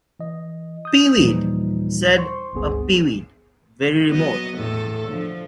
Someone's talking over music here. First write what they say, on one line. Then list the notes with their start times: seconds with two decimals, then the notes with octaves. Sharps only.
"Peewit," said a peewit, very remote.
0.20 E3 D#5
0.85 D#6 G6
1.17 D#2 A#2 E3 F3 G3 D#4
2.18 C5 C6 C#6
2.53 G1 C#2 G2 B3 G#4
4.08 F#3 B3 D#5
4.57 E2 A2 A4
5.08 D3 F3